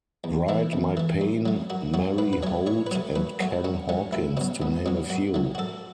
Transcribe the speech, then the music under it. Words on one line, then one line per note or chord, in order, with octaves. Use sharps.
Wright, Mike Payne, Mary Holt and Ken Hawkins to name a few.
E2
E3 A3 E4
E2
E3 A3
F#2
F#3 A3
F#2 F#4
F#3 A3 F#4
A2 B4
B4
F#3 A3 C#5
A2 C#5
B4
F#3 A3 C#5
F#2 B4
F#3 A3 F#4
F#2 C#4
F#3 A3 C#4
C#2 E4
B2 F#3 C#4
C#2 B3
B2 F#3 C#4
F#2 F#4
F#3 A3
F#4
F#2 A4